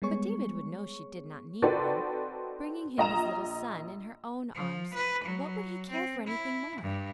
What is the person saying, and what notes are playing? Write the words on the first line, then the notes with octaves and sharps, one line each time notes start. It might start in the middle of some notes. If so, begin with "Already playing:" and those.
But David would know she did not need one; bringing him his little son in her own arms, what would he care for anything more?
G3 G#3 B3 G#4 C#5 C#6
C4 D#4 F#4 A4 B4 D5
A#1 D#5 A#5 E7
F3
B4
F#3
C4
E4
G2